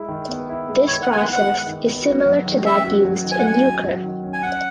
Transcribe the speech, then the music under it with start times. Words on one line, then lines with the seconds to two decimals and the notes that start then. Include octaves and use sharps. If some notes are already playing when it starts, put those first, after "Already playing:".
This process is similar to that used in Euchre.
Already playing: G#3 E4
0.09 D#3
0.28 B3
0.49 E4
0.69 G#3
0.88 D#3 C#5
1.02 F#5
1.08 B3 G#5
1.17 F#5
1.27 E4
1.33 F#5
1.47 G#3
1.67 D#3
1.86 B3
2.06 F#4
2.26 F#3
2.46 D#3
2.65 C#4 E5
2.84 F#4
3.05 F#3
3.24 D#3
3.31 G#5
3.39 F#5
3.44 C#4 G#5
3.64 F#4
3.84 F#3
4.03 D#3
4.23 C#4
4.33 G#5
4.42 C#4 F#5